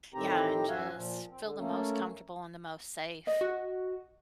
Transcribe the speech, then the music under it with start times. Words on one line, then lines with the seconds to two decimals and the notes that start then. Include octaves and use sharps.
Yeah, and just feel the most comfortable and the most safe.
0.14 A2 D#3 C4 G4 A#5
0.68 F#2 F#4 E5 F5 G#5
0.94 A#2 F3
1.30 C4
1.42 D3
1.57 A3 A#3 C#4
3.27 D#5
3.41 F#4